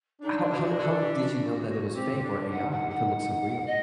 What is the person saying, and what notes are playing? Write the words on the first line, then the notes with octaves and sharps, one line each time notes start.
how how how did you know that it was fake or AI if it looks so real?
D4 D#4
F#4
A4
G4
F#4
C4 G4
D4
D#4 F#5
F#5
F#5
D#5